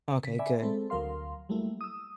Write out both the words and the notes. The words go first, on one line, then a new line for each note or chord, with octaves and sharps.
Okay, good.
C#3 B6
D5 E5 G#5 B5
G#3 C4 A4
D2 F#3 A#4 F5 C6
F#3 G3 A3 A#3 E4
D#6 E6